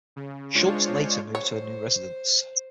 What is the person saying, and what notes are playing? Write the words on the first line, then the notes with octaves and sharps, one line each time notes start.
Schultz later moved to a new residence.
C#3
G#3 D4 F4 C5 C#5
C5 C#5